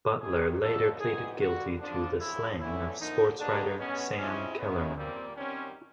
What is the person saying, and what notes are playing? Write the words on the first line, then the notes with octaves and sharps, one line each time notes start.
Butler later pleaded guilty to the slaying of sportswriter Sam Kellerman.
F2 C3 D#3 G#4
D2 C#3 F3 A#3 D#4 A4
G#2 E3 G3 B3 D#4 G#4
F2 D3 G3 F#4
F2 D3 F3 D4
D2 C#3 F3 E4
D2 C#3 E3 A3 C#4 E4
D2 D3 F3 A#3 D#4
F#3 A#3 D4 D#4 G4 B4
B2 G#3 B3 C#4
C3 F3 G#3 C4 C#4 E4
F#2 D#3 G#3 B3 C#4 E4
A#2 G3 A#3 C4
F#2 D#3 G3 C4 C#4